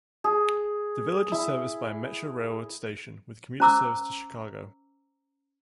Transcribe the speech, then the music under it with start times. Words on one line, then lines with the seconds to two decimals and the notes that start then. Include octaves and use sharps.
The village is serviced by a Metra railroad station with commuter service to Chicago.
0.24 G#4
1.32 E4
3.60 C#4 C5 A#5 D6 E6